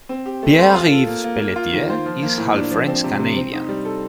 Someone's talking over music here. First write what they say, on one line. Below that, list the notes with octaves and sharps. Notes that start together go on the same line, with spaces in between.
Pierre-Yves Pelletier is half French Canadian.
C4
G4
A3
C5
F4
A4
A#3
A#3
A#3
F4
D#3
C5
F3
A#3
A2
D4
F3
C4
C3
C3
C4
D#4
G3
A4